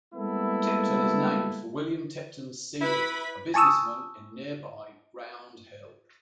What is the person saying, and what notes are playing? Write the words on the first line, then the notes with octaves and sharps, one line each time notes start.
Tipton is named for William Tipton Seely, a businessman in nearby Round Hill.
G3 G#3 A#3 B3 E4 A4
E4 B4 B5
G#5 A5 C#6 D#6 E6